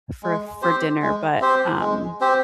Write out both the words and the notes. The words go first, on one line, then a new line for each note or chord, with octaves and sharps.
for for dinner, but, um,
G#3
C4 G4 C5
G#3
C4 G4 C5
G#3
C4 G4 C5